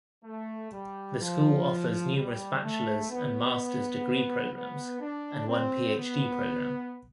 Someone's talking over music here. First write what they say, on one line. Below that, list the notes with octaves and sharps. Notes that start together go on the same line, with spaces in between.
The school offers numerous bachelor's and master's degree programs, and one Ph.D. program.
A3
G3
F3
G3
A3
B3
B3
D4
C4
B3